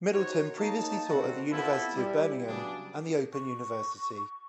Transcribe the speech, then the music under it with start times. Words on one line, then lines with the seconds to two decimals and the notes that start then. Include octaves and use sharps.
Middleton previously taught at the University of Birmingham and the Open University.
0.11 D#4 F#4 C5 C#5
0.58 A#3 D#4 A5
1.09 B2 D3 A3 C4 F#4
1.51 B3 C4 E4 F4 G4 A4
1.94 G3 E4
2.47 C#3 F#3 G3 B3 D4 G#4
3.33 C#6